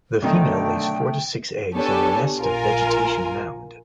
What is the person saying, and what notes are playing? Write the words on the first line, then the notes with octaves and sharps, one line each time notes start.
The female lays four to six eggs in a nest of vegetation mound.
B1 D3 D#3 A3 D#4 G5
B3 D4 G4 A4 C#5 G#5
A#1 F4 A#4 G#5